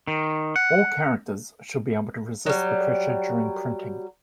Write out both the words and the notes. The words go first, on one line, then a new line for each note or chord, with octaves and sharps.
All characters should be able to resist the pressure during printing.
D#3
F#5
F#3 G3